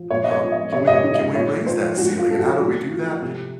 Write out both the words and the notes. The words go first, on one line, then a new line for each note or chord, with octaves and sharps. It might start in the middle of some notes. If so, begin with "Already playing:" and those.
Um, can we can we raise that ceiling, and how do we do that?
Already playing: F3
A#2 C#5
D#5
C#5
F3
D#5
C3 C#5
D#5
C#5
D#3
D#5
A#2 C#5
F3 C5
A2 F#4
F4
F3 A4
F#4
A2 F#4
F3
C3